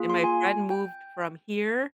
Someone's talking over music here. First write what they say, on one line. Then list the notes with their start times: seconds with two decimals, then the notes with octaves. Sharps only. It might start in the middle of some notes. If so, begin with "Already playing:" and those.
and my friend moved from here
Already playing: A#3 F4 G#4
0.10 C6
0.24 G#5
0.70 G5